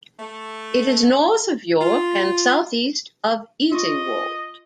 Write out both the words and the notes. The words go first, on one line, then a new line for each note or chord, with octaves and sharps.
It is north of York and south-east of Easingwold.
A3
F4
F4 D#5 C#6